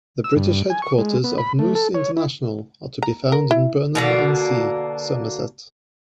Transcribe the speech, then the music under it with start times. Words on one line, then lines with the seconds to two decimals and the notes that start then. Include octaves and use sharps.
The British Headquarters of Moose International are to be found in Burnham-on-Sea, Somerset.
0.24 E6
0.36 G2
0.70 G#5
0.82 C#6
0.98 G#3
1.24 B3
1.38 B5
1.59 A3
1.75 A4
1.95 C#5
2.17 E4
3.03 A#5
3.32 A#4
3.51 E4
3.95 B2 D3 A#3